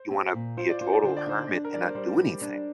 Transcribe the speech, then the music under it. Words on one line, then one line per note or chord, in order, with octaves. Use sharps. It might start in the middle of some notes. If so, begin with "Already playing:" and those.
you wanna be a total hermit and not do anything.
Already playing: C5
C4
A#2
F4 C5
D5
F4 C5
D5
D3 C5
D5
D#4 C5
D4 D5
A#4
G3 D5
C5
G3 C5
G3
D4